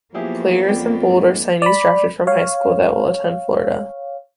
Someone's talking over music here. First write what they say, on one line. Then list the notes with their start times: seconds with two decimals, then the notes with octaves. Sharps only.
Players in bold are signees drafted from high school that will attend Florida.
0.14 F3 F#3 A#3 B3 E4 G4 G#4
0.68 F2 D5 G5
1.06 G#2
1.62 D5 B5
2.27 C#5 F5